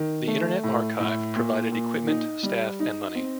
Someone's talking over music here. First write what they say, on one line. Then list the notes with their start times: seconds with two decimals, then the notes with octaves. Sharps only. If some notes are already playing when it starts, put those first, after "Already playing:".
The Internet Archive provided equipment, staff and money.
Already playing: D#3
0.27 A3
0.64 A2
1.00 A2
1.36 A#2
1.72 A#2
2.07 D#4
2.43 G3
2.80 D#4
3.15 C4